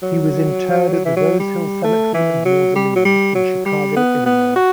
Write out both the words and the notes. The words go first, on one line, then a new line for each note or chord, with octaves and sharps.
He was interred at the Rosehill Cemetery and Mausoleum in Chicago, Illinois.
F#3
F#3
E3
F#3
G3
A3
E3
F#3
G3
F#3
G3
F#3
G3
B3
B3
F#4